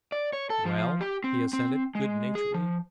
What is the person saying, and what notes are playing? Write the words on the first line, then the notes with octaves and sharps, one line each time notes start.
"Well?" he assented, good-naturedly.
D5
C#5
A4
F3
G4
C4
C4
G#3
G#4
F3